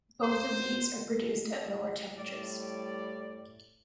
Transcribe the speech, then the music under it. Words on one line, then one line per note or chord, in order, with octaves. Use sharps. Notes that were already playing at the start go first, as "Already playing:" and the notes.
Both of these are produced at lower temperatures.
C5
A2 G3 D5